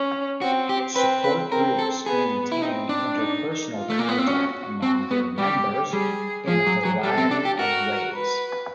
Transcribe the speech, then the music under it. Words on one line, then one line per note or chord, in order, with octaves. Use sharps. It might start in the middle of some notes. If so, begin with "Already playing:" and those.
Support groups maintain interpersonal contact among their members in a variety of ways.
Already playing: C#4
C4 F#4
G4
C4 B4
B4
C4 A#4
A4
B3 G#4
E4
C4 D#4
D4
D#4
F4
A3
A#3
B3
C4
C#4 F#4
C4 F#4
B3
G3 G4
G3 G#4
F3 G#4
F#3
F#3
G3 A4
C4
D4
G4
F#4 A#4
B4